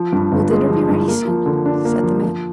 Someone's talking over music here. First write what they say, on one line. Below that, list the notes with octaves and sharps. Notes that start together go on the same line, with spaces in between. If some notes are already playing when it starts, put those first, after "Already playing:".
"Will dinner be ready soon?" said the man.
Already playing: F3
G2
G1
G#3
F3
G2
A#3
F3
D3
D4
A#3
F3
F3